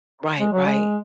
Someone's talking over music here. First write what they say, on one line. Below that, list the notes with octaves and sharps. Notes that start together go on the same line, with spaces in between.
Right, right.
G#3
F#3
G#3